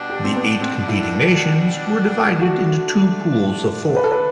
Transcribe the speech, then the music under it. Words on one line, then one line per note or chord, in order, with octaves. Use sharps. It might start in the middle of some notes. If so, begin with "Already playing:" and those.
The eight competing nations were divided into two pools of four.
Already playing: B2 G3 D4
G4
C4
B3
C4
E4
D3 A3 D4 F#4
B4
A4
B4